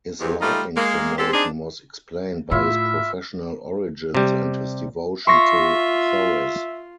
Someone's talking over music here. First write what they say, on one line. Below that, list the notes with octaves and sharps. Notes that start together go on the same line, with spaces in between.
His lightning promotion was explained by his professional origins and his devotion to Thorez.
E2 C3
G3 A3 D#4 F4
G#3 A#3
G#3 C4 G4 A4
C4 D4 D#4 G#4
A2 E4 F4 E5
C3 G3
F4 E5 C6 C#6 A#6